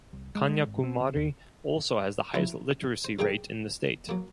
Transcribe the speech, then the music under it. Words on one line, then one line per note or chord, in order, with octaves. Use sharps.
Kanyakumari also has the highest literacy rate in the state.
C2
G#3
G#3
G#1
C4
C3
D#2
F3 F#3 B3 E4 B4 C5
C5
C#2 G3 G#4 A#4 F5 G5
F#3 A#3